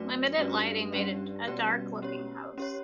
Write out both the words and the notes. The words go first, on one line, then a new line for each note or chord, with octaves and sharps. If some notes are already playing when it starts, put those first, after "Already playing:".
Limited lighting made it a dark looking house.
Already playing: F#2 A3 C#4 F#4 B4 D5
G2 A3 C#4 F#4 B4 D5
G3 C#4 G4 B4 D5
B2 G3 C#4 G4 B4 D5
C#4 G4 C#5
C#4 G4 C#5